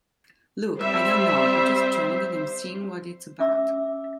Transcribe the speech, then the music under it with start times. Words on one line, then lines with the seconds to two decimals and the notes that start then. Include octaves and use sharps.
Look, I don't know, I just joined and I'm seeing what it's about.
0.80 G3 C4 C5 E5
3.39 C#4 E5 D6 E6